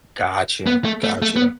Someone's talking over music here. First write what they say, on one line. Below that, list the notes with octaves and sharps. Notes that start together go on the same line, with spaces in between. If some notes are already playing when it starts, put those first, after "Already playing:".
Gotcha. Gotcha.
B3
A3
A3
A3
B3